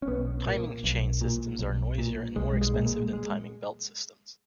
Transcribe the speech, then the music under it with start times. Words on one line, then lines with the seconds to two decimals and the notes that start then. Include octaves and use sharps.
Timing chain systems are noisier and more expensive than timing belt systems.
0.02 C#4
0.07 B1 B3
0.46 A#2 A#3
0.84 B1
1.21 A#2
1.59 B1
1.98 A#2
2.36 B1 G#3
2.61 G#3
2.74 A#2
2.86 G#3
3.13 G#3